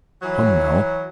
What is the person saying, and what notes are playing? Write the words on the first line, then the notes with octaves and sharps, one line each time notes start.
Come, now!
E3 F#3